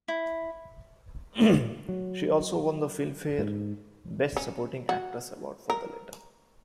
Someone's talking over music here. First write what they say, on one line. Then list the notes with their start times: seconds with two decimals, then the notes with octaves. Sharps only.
She also won the Filmfare Best Supporting Actress Award for the latter.
0.08 E4
1.89 F#3
3.38 G#2
4.37 C#4
4.89 F#4
5.70 A#4